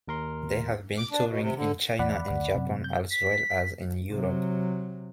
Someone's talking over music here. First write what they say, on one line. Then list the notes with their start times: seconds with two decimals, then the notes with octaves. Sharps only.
They have been touring in China and Japan as well as in Europe.
0.08 D#2 A#4 C6
0.98 D6
1.12 D4
1.28 B2
1.41 C3
1.56 D3
1.99 E2 D5 F#5 B5
2.30 D2
2.54 F#2 C3
2.84 G6
3.11 B6
4.10 C3 F#3